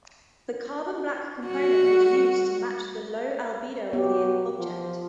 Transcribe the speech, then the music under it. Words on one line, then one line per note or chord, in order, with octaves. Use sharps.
The carbon black component was used to match the low albedo of the object.
G3 F#4
F#3 B3 G4
F3